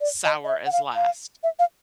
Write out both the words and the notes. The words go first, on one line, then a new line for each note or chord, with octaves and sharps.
sour as last?
D5
D#5
D#5
E5
F#5
F5
F5
E5
F5